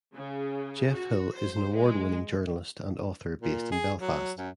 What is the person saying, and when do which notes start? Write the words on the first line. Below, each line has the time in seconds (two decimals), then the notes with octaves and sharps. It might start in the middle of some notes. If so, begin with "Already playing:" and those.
Geoff Hill is an award-winning journalist and author based in Belfast.
0.14 C#3
0.92 F#4
1.35 C5
1.75 G#3
3.41 A#2
3.72 G#4
4.01 F#3
4.38 F#2